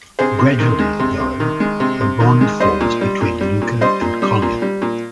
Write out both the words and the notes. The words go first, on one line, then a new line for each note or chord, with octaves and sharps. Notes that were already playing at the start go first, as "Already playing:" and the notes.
Gradually, though, a bond forms between Louka and Kolya.
C3 G#4 C5
C3
D#3
G#3
C3
C3
D#3
G#3
C3
C3
D#3
G#3
G3 C5 D#5
A#2
G3
A#2
G3
A#2
G3 C5 D#5
A#2
G3
A#2
G3
A#2